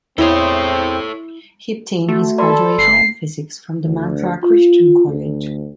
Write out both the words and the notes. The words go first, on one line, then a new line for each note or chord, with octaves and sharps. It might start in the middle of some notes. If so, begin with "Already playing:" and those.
He obtained his graduation in Physics from the Madras Christian College.
E2 C4 E4 A4 C#5 D#5 C6
A3 F#4
A4 D5 B5 C6
G1 C7
D2
F4
D2